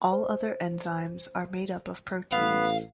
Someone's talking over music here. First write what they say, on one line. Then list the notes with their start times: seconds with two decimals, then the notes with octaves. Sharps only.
All other enzymes are made up of proteins.
0.12 C5
2.32 A1 B3 F5